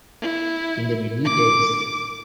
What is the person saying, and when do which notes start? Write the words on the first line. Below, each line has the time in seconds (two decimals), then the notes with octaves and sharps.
In the Middle Ages.
0.21 E4
1.25 D6